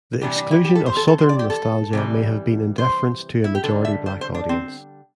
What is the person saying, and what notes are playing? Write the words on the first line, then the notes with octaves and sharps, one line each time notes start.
The exclusion of southern nostalgia may have been in deference to a majority-black audience.
C3 E3 G3 D4
D4
E4
G4
A4
C5
A4
A4
C5
D5
G4
A4
C3 E3 G3
C5
E4
G4
D3 G3 A4
E5
C5
C5
D4
C4